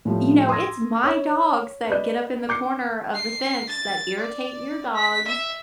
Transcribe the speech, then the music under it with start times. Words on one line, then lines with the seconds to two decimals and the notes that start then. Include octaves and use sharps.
you know, it's my dogs that get up in the corner of the fence that irritate your dogs,"
0.05 A2 F3 G3
0.49 C6 D#6 E6 G#6 A#6
1.04 C#5
1.89 B4 D5 D#5 G6
2.49 D6 G6 C7 C#7
3.14 C7
3.69 A6
4.18 D5
4.95 B6
5.27 E5